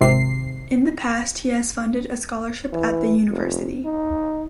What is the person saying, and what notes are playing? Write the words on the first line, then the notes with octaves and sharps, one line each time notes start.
In the past he has funded a scholarship at the university.
G#1 C3 C7
E3
F1
D#4